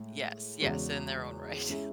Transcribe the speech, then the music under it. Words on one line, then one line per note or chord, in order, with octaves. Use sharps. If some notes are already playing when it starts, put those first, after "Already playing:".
Yes, yes, in their own right.
Already playing: A2 G#3
E2 C#3 G#3 C#4 F#4
G#3 C#4 E4 G#4